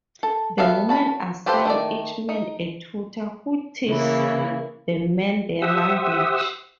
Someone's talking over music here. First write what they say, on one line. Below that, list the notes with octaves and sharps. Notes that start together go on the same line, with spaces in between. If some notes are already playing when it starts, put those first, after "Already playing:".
The women assign each man a tutor who teaches the men their language.
A4
B3 A4 E5 F5
F#4 A5 B5
F4 G4 A4 B4 C5
D#3 A3 D5
D#4
C#3 E3 A#3 E4
G4 C5 E5 F#5 D#6 E6